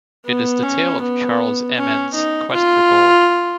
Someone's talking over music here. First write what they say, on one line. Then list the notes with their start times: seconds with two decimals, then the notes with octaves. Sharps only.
It is the tale of Charles Amand's quest for gold.
0.26 B3
0.63 C#4
1.01 B3
1.76 C#4
2.15 D#4
2.53 F4